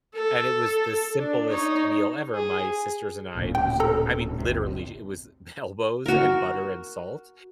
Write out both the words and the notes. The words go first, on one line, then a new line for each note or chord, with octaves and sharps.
and it was the simplest meal ever, my sisters and I and it was I mean, literally, it was elbows and butter and salt,
A4
D4
D#4 C#5
G#4
D1 A#2 C#3
G5
A4 A#5
G1 D2 C3
F#4 A#4